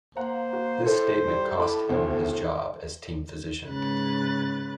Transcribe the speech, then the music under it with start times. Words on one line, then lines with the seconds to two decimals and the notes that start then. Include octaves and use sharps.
This statement cost him his job as team physician.
0.17 A#3 C5 F5 F#5 A#5
0.53 F#4
0.86 A2 A4 C5
1.27 G3
1.58 A2 A5 B5 D6
1.89 D2 B2 D3 C4
3.67 G#2 C#3 B4 F#6 A6